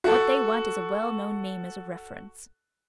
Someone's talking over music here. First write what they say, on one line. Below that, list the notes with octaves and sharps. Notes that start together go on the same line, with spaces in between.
What they want is a well-known name as a reference.
F#4 A4